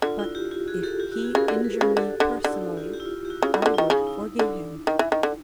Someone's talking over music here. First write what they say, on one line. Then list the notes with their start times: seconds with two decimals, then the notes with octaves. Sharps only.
But if he injure me personally, I would forgive him.
0.02 D3 F4
0.19 E4 F#4
0.35 F4 G4
0.51 F4 G4
0.68 F#4 G#4
0.83 G4 A4
1.00 F4 G4
1.12 E4 F#4
1.24 F#4 G#4
1.35 C#3 G#4 A#4
1.48 D3 G#4 A#4
1.64 A4 B4
1.80 C#3 G#4 A#4
1.97 D3 G4 A4
2.09 F#4 G#4
2.20 D3 D4
2.33 D#4
2.44 D3 E4
2.53 G4
2.61 E4 F#4
2.77 F4 G4
2.94 F4 G4
3.00 E4
3.06 F4
3.18 F4
3.25 G4
3.30 E4 F#4
3.42 C#3 E4 F#4
3.54 D3
3.58 D#3 F4
3.66 D3
3.74 D#3 E4
3.90 C#3 D#4
4.07 E4
4.23 D#4
4.39 D3 D4
4.87 D#3
4.99 E3
5.12 D#3
5.23 D3